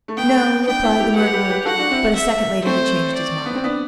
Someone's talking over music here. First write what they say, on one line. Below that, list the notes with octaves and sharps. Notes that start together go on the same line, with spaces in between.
"No," replied the murderer, but a second later he changed his mind.
A3
B3 G5
A3
B3
B3 D4 G5
C4 E4
E4 G4
G4 B4 F#5
G4 B4
G4 B4
F#4 A4 F#5
D4 F#4
C4 E4
E5
A3 C4 C5
D5
B3
C4
B3 D4